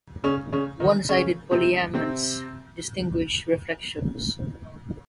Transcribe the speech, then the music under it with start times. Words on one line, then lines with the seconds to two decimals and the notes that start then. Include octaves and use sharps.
One-sided polyiamonds distinguish reflections.
0.24 C#3 C#4
0.52 C#3 C#4
0.80 D#3 D#4
1.09 C#3 C#4
1.51 C3 C4
1.93 C3 C4